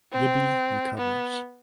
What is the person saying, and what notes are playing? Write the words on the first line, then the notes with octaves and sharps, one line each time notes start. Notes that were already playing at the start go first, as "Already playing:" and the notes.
Libby recovers.
C4
B3